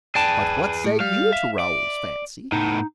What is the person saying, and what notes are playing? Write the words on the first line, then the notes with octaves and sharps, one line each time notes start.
"But what say you to Raoul's fancy?"
G#4 B4 D5 G5 A5
A2
G3 F5
E5
D5
A2 B3 D#4